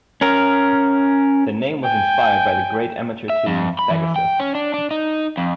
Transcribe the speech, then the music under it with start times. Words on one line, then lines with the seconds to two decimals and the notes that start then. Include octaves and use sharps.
Their name was inspired by the great amateur team Pegasus.
0.21 C#4 A#4
1.84 G5 G#5
3.30 E5
3.47 F2
3.79 B5
3.90 E3
4.16 G5
4.39 C#4
4.55 D4
4.74 D4
4.91 D#4
5.37 F2